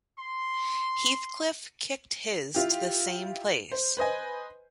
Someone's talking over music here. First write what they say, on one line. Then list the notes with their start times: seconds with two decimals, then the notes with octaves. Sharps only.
Heathcliff kicked his to the same place.
0.20 C6
2.54 E4 F4 G4
3.72 C5
3.97 B4 C5 D#5 G#5